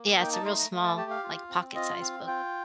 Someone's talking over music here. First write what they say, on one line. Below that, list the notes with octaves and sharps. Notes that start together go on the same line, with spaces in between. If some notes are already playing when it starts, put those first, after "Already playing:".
Yeah, it's a real small, like, pocket-sized book
Already playing: A#3
D#4 G5
A5
A3 C6
A#5
A3
A5
G4 A5
F5
F4
C4
F4 D#5
C4 F5
F4 G5